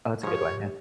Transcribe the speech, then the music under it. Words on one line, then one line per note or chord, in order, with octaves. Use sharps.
Oh, that's a good one, yeah.
G#2 F3 G4 C#5